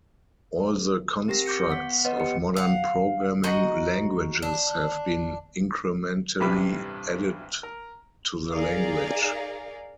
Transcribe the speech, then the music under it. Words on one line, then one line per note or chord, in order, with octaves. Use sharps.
All the constructs of modern programming languages have been incrementally added to the language.
C4 G4 A#4 A#6
C#6 D6 G6 C#7
B3 F#5 C#6 B6
B3 B4 C#5 D#5 F#5
G4 C#7
F5 F#5
D#4 F#4 D#5
D4
A1 G2 C3 G3 B4 B5
A#4
D#4 G#4 A#4 D5 F5